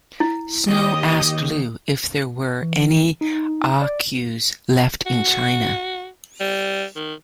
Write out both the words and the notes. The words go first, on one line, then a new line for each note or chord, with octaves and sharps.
Snow asked Lu if there were any Ah Q's left in China.
E4
D#2 G4 D#5
E3
D#4
D5
F#4
G3
D#3